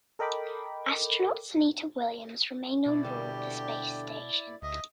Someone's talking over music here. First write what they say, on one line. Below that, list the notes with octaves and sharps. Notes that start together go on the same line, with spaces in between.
Astronaut Sunita Williams remained on board the space station.
A4 A#4 D#5 G5 B5 D6
B2 E4 D5
D2 D3 G3 G4
D2 D#5 E5